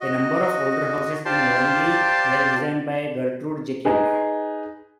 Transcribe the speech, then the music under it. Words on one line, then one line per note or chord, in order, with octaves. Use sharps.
A number of the older houses in Wormley were designed by Gertrude Jekyll.
F#4 D#5
F4 G4 C5 D5 A5 C6
D#4 G#4 B4